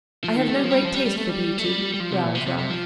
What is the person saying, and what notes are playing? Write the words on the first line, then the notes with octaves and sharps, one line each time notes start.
'I have no great taste for beauty,' growled Ralph.
F3
D#3
A3
G3
F3
G3
F3
G3
G3
A3
G3
A3
G3
G3
F3
C3
A#2
C3
C3
C3
F3